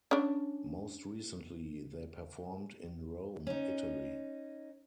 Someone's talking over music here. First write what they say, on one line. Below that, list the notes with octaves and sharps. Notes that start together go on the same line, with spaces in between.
Most recently, they performed in Rome, Italy.
C#4 D4
C#4 D#4